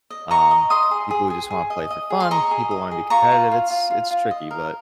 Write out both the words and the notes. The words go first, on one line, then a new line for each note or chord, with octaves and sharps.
um, people who just wanna play for fun, people who wanna be competitive. It's it's tricky but,
D#5
D#5 A#5 C#6
D#5
D#5 C6 D#6
G#4
G#4
G#4
G#4
D#5
D#5
G#4
C6
D#5 A#5 C#6
G#4
D#5
G#4
F4 A#5 C#6
F4
F4
F4
F4
F4
D#5
A#4